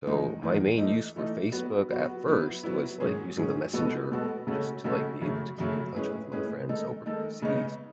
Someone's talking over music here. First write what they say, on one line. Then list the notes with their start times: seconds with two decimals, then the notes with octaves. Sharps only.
So, my main use for Facebook at first was, like, using the messenger just to, like, be able to keep in touch with my friends over the seas.
0.05 E2 D#3 G#3 D#4
0.42 E2 D#3 G#3 D#4
0.78 E3 A3 D#4
1.16 E3 A3 D#4
1.52 F#3 B3 F#4
1.89 F#3 B3 F#4
2.26 F#3 B3 E4
2.63 F#3 B3 E4
3.00 G#2 D#3 F#3 C#4 G#4
3.37 G#2 D#3 F#3 C#4 G#4
3.73 B2 G#3 B3 F#4 A4
4.10 B2 G#3 B3 F#4 A4
4.47 C#3 G#3 C#4 F#4 A4
4.84 C#3 G#3 C#4 F#4 A4
5.21 F#2 C#3 F#3 A3
5.58 F#2 C#3 F#3 A3
5.94 A2 G#3 C#4 G#4 B4
6.32 A2 G#3 C#4 G#4 B4
6.69 D#3 G#3 D#4 A4
7.06 D#3 G#3 D#4 A4
7.42 C#3 G#3 B3 D#4